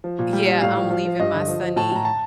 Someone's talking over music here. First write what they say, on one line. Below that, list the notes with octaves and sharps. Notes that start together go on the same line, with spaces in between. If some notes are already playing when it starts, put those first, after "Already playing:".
yeah, I'm leaving my sunny
F3
A#2
G3
G3
A2 F5
F3
F3
F3
G2 D#5
D3
F3
F3
A2 A5
A2 A#5
A5